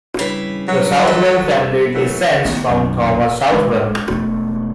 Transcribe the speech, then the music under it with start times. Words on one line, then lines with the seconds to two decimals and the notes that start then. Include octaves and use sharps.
The Southwell family descends from Thomas Southwell.
0.19 C#3 G3 D4 E4 B4
0.68 F#3
1.07 A4 B4
1.93 E3 F#3 A3 A#4
2.45 A1 D#3 B3
2.70 B1 F#2 D#3
3.52 G#3 D4
4.10 E1 A3